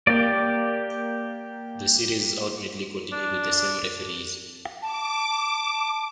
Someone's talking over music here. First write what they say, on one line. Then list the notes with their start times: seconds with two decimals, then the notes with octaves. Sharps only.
The series ultimately continued with the same referees.
0.07 A#3 G4 D5
3.12 D4
4.82 A5 D6
5.29 A5